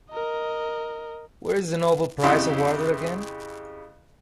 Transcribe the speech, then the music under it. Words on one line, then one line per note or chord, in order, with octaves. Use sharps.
Where is the Nobel Prize awarded again?
A#4 D#5
F2 C#3 E4 G4 C6 D#6